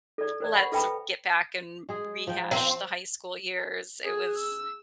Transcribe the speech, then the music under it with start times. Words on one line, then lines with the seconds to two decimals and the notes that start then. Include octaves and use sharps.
"Let's get back and rehash the high school years." It was
0.18 A4 D5
0.40 A#4 C5 D5
0.55 F#5 B5 C#6
0.72 A4 B4 E5 G5 A5 B5
1.89 G#3 G#4
2.27 F3 G5
2.51 C4
4.04 G#4
4.37 E6